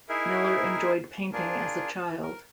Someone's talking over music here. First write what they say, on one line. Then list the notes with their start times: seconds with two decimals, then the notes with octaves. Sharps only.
Miler enjoyed painting as a child.
0.09 D#4 E4 G#4 A#4 E5
1.33 D4 F4 G#4 A#4
2.22 A#4